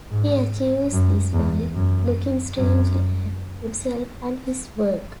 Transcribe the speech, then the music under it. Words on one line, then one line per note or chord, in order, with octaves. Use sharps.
He achieves this by looking strangely at himself and his work.
G#2
F#2
E2
F#2
F#2